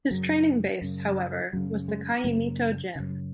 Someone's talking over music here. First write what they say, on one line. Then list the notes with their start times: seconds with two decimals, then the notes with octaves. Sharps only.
His training base, however, was the Caimito Gym.
0.10 F#2 C#3 F#3
0.82 F#2 C#3
1.53 F#2 C#3 F#3
1.88 G#3
2.24 F#2 C#3 A#3
2.95 F#2 C#3